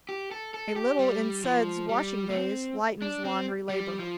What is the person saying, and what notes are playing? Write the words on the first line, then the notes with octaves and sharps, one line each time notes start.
A little in suds washing days lightens laundry labor.
G4
A4
A4
G4
G3
F3
G3
A3
C4
D4
C4
G3
F3